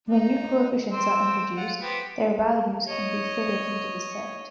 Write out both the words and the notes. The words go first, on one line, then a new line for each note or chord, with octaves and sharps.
When new coefficients are introduced, their values can be fitted into the set.
D#4
C4 C6 E6
F4 F#5
B3 C4 G4
C#5 D#5